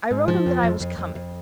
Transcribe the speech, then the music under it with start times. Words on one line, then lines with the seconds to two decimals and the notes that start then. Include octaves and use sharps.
I wrote him that I was coming.
0.11 G#2
0.28 F3
0.46 F2
0.63 F2
0.80 F2
0.98 F2
1.15 F2